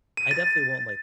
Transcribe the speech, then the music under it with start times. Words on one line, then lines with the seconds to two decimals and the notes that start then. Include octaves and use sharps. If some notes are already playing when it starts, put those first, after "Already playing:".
I definitely won't, like,
0.17 D#7
0.31 A6